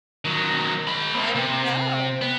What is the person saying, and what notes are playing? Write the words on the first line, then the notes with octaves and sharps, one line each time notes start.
I know!
D#3 F#3
G#3 B5
A#3 C4
C3
B3